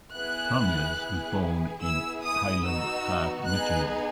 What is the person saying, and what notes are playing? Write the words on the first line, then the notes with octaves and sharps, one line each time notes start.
Conyers was born in Highland Park, Michigan.
B3 E4 G#4 F#6
B3 E4 G#4
B3 E4 G#4 E6
D#6
B3 D#4 F#4 E6
B3 D#4 G#4 F#6